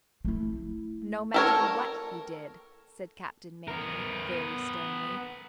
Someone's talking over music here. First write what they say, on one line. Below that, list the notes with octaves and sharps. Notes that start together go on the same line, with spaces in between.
"No matter what he did," said Captain Manly, very sternly.
A3 E4
A4 A#4 C#5
B3 A#4